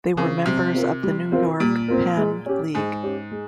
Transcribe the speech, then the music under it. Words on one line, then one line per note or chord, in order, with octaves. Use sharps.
They were members of the New York-Penn League.
C#3 C4 F4 A#4
C3 G3
C4 F4 A#4
G3
C4 F4 A#4
A#2 G3
C4 F4 A#4
G#3
C#4 G4
G#2 G#3
C#4 G4
G#3